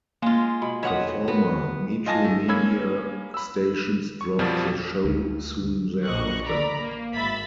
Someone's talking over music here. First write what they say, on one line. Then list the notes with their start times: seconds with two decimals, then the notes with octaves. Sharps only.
The former Metromedia stations dropped the show soon thereafter.
0.22 G#3 A#3 F4
0.62 B2 B5
0.83 D#3 B4 C#5 E5 F#5 D#6
1.28 B3 F#4
2.06 F4 D#5 G#5 A5 A#6
2.24 A3
2.48 A#3 C#4 B5 E6 G#6
3.34 B5 E6
4.21 C#6
4.39 F2 B2 F3 G3
5.05 D2
6.03 A#1 C5 D#5 C#6 F#6
6.43 D5 A#5 B5
6.80 A#3
7.14 G#1 E5 B5 A6